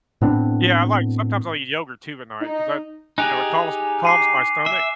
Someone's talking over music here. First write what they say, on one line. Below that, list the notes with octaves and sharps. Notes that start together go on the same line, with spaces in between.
Yeah, I like sometimes I'll eat yogurt too at night 'cause I you know, it calms calms my stomach.
A2 B3 C4 D4
D#4
D#4 G4 G#4 G#5 F#6 F7
D6 C7 D#7
E5